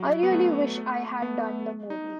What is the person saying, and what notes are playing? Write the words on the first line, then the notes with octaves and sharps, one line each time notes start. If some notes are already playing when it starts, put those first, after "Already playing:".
I really wish I'd done the movie.
Already playing: F#3
B3
A3
B3
D#4